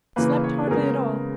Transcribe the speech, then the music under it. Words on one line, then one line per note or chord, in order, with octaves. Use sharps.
Slept hardly at all.
C#3 E3 A#3 B4
C#5
G#4
C#3 G#3 B3 A#4